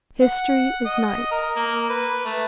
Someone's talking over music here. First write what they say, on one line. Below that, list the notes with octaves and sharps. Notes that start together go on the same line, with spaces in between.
History is night.
F#5
D#5
A#4
A#3
B4
A3